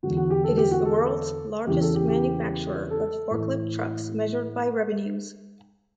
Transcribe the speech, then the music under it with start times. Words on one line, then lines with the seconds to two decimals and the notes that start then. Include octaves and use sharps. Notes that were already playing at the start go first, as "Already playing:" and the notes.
It is the world's largest manufacturer of forklift trucks measured by revenues.
0.03 E2 D3 F#4
0.17 F#4
0.30 G4
0.44 A4
0.58 G4
0.71 F#4
0.85 A4
1.67 E2 C#3 E3 G4
1.81 A4
1.94 G4
2.08 G4
2.90 A4
3.31 A2 E3